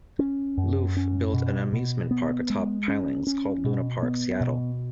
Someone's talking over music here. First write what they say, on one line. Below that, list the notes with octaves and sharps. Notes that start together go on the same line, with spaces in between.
Looff built an amusement park atop pilings called Luna Park, Seattle.
C#4
F#2
C#4
B2
B2
B3
G#3
C#4
C#4
B2
B3
B2